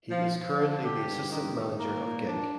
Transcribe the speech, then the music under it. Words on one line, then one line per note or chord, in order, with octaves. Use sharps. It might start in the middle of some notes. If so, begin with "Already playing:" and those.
He is currently the assistant manager of Genk.
F3
F3
D3
G4
G2
D#3
D#3
A#3
A#2
D4